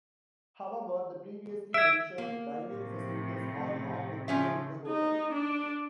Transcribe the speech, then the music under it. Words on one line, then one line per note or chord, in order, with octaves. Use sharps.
However, the previously mentioned dining facilities are not located in the hotel.
E5 G#6 D7
A#3
A2 C3 F3
C#3 F3 C#4 E5
D#4
D4